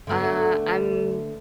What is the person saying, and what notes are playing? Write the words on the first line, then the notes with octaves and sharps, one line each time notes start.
uh, I'm
D3 A3 B3